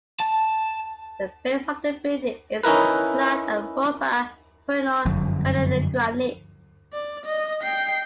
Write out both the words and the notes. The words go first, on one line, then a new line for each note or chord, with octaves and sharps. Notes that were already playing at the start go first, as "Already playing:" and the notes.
The base of the building is clad in Rosa Purino Carnelian granite.
A5
C#4 D#4 E4 A#4 B4
G1 F#2 F3
D5
D#5
G5 C7